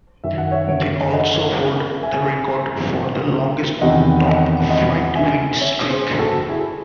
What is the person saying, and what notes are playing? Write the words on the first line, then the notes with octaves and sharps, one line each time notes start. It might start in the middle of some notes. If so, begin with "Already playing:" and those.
They also hold the record for the longest top flight win streak.
F#2 D#3 E5
F#5
C#5 E5
C#5 E5
D#5 F#5
E5 G#5
E2 C3 D#3 D#5 F#5
D#5 F#5
D#5 F#5
E5 G#5
C#5 E5
G#4 C5
F#4 A4
E4 G#4